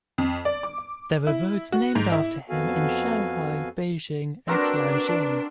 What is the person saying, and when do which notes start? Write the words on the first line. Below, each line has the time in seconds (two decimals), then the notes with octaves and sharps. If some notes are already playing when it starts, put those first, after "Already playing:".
There are roads named after him in Shanghai, Beijing and Tianjin.
0.18 F2
0.45 D5
0.63 D6
1.27 E4
1.72 F#4
1.95 G#2
2.12 E4
2.49 F2 B3 F#4 A4 F5 G#5
4.48 C4 D4 F#4 A#4 B4